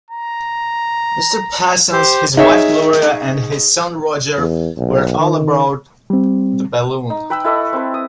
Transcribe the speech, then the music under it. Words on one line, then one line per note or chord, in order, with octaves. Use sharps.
Mr. Parsons, his wife Gloria, and his son Roger were all aboard the balloon.
A#5
G4 C5
D#4 G#4 C#5 E5
E2
B1
D#3
G3 C4
D#4
B4 G5 B5 E6
E4 A4 D#5 C#6
C4 B4
D#6